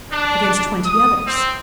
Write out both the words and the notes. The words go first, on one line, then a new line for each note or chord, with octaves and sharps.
"Against twenty others."
D4
D#6
C4